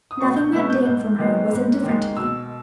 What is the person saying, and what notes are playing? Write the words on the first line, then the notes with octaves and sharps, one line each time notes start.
Nothing that dame from her was indifferent to me.
D#6
B2 C#6
G6
G#3 B3 E6
G6
G#2 G6
D#3 G#3 B3
G#2
D#3
G#3
B2 E6